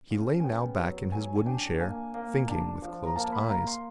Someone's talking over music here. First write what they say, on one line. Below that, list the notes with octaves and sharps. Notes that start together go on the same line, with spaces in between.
He lay now back in his wooden chair, thinking with closed eyes.
C#3
G#5
B3 G5
F#3
F#3 G#5
G#5
D4 G5
A#3 G#5
A#3
D4 A5
F3
A#5
A#3 A5
B5
A#3 A#5
C6